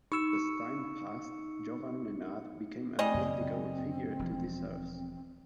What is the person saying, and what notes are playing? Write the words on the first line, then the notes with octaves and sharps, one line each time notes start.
As time passed, Jovan Nenad became a mythical figure to the Serbs.
D#4 C#6 E6 C#7
G3 C4 G#4 D#5
F#2 C#3 A#3
E1 F3